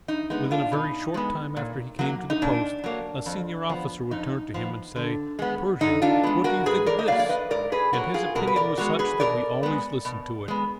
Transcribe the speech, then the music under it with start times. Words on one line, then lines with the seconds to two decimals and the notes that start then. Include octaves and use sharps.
Within a very short time after he came to the post, a senior officer would turn to him, and say: 'Pershing, what do you think of this?' and his opinion was such that we always listened to it.
0.08 D#4
0.30 G#3 B3 D#4
0.51 D4 F4
0.72 B2 D#4
1.14 G#3 B3
1.57 A#2
1.99 F#3 A#3
2.30 D#4
2.42 A#2 D4
2.84 F#3 A#3
3.26 F2
3.69 F3 B3
4.11 F2 D#4
4.54 F3 B3
4.96 D3
5.39 G#3 B3
5.81 D3 D#4
6.02 D4 F4
6.23 G#3 B3
6.44 F#4 A#4
6.66 G#2 G#4 B4
6.86 A#4 D5
6.99 D#5
7.08 F#3 A#3 D5 F5
7.19 D5
7.29 B4 D#5
7.50 G#2 A#4 D5
7.72 G#4 B4
7.93 F#3 A#3 F#4 A#4
8.14 F4 G#4
8.35 B2 F#4 A#4
8.47 B4
8.56 A#4 D5
8.78 G#3 B3 F#4 A#4
8.99 G#4 B4
9.20 B2 A#4 D5
9.63 G#3 B3
10.05 B2
10.48 G#3 B3